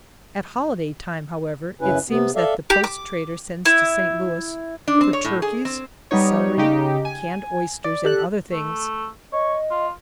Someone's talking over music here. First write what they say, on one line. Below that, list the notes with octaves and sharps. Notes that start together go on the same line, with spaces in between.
At holiday time, however, it seems that the post trader sends to St. Louis for turkeys, celery, canned oysters, and other things.
F#2 C#3 C#4 E4 B4
C3 B3
A4 D5 E5 F5
G4
D6
E4
D4
C4
C#5
A2
G#4
C4
G3 B3 D#4 C#5
C#3 D#4 G4
G#5
D5
G4 A4 F#6
A3
C#5 D#5
F4